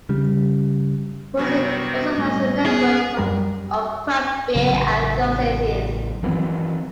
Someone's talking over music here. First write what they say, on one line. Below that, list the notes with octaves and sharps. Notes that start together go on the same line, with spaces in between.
Muncie also has a network of craft beer enthusiasts.
C#3 G3
C2 C3 D#3 F#3 B3 F#4
A2 G3 A3 D#5
A#3 B3 C#4 G#4 A#4 B4
F#2 G3 A#4
A1 C#3 F#3
D#3 E3 F#3 C4